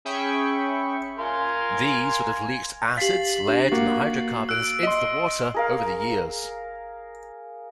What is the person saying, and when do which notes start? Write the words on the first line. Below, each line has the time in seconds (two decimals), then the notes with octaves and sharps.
These would have leached acids, lead and hydrocarbons into the water over the years.
0.05 C#4 G#4 E5 G5 B5 C#6
1.19 A#4 F5 G#5 C6
2.97 G4 F5 A6 B6 C7 F#7
3.48 D4 G4
3.72 A#3 F#4 F5
4.49 E6 F#6 D7
4.83 D#5 C6
5.54 G#4 A#4 F5